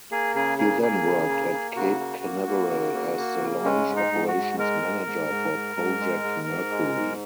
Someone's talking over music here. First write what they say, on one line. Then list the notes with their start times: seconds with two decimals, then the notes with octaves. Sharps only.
He then worked at Cape Canaveral as the launch operations manager for Project Mercury.
0.11 A#3 G#4
0.35 C#3 G#4
0.58 A#3 G#4
0.82 A#3 G#4
1.06 C#3
1.29 A#3
1.53 A#3
1.76 C#3 F#4
2.00 A#3
2.23 A#3
2.47 A#3
2.71 C#3
2.94 A#3
3.17 A#3
3.41 C#3
3.65 G#3 C#4
3.88 G#2
3.96 D#4
4.12 G#2
4.28 F#4
4.35 G#2
4.59 G#3 A#4
4.82 G#2
5.06 G#2
5.29 G#2
5.53 G#2
5.76 G#2
6.00 G#3
6.24 G#2
6.47 G#2
6.71 G#3
6.95 G#2